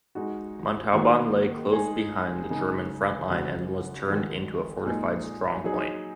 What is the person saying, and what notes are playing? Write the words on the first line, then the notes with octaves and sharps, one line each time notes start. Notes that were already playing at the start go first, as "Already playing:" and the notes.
Montauban lay close behind the German front-line and was turned into a fortified strongpoint.
G#3 D#4 F#4
D#3 A#3 D#4 F#4
G#3 D#4 G#4
C#3 G#3 D#4 G#4
C#3 G#3 F#4
D#3 G#3 F#4
A#2 G#3 D#4 G#4
F#3 D#4 G#4